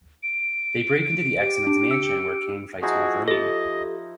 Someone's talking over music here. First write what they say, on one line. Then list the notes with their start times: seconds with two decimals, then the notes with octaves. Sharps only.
They break into the X-Men's mansion where Kaine fights Wolverine.
0.23 D7
1.39 G4
1.67 D4
1.91 E6 C#7
2.82 F3 D#4 E4 F#4 G#4
3.28 G4 A4 D#5